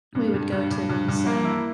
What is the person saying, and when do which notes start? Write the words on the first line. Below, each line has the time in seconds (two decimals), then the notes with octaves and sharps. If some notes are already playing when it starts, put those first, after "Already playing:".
we would go to these, um
0.15 G2
0.34 G2
0.52 G2
0.71 G2
0.89 G2
1.08 G2
1.26 A#3
1.45 E4